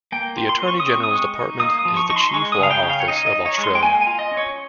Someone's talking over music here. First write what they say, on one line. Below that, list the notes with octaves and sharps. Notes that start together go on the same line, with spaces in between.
The Attorney-General's Department is the chief law office of Australia.
A#3 G5
F4
C6
C#4
C#6
D#6
C4
C#6
D#6
G#3 C#6
D#4
A#3 D#6
D#6
F3
C#6
D#4 C#6
C6
G#3 C#6
D#6
C#3 F5
G5
C#4
F5
C#5
D#4 D#5
D#5
D#4
C#5
G#3 C#6
C6
G5
A#3 G#5
G#5
F4
D#5
C#4
C#5